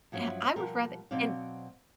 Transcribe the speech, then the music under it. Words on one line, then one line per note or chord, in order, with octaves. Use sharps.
I I would rather and
G2 F3 F#3 C#4 E5
B2 F3 G3 G4 A#4
B2 F#3 C4 C5 D5 F5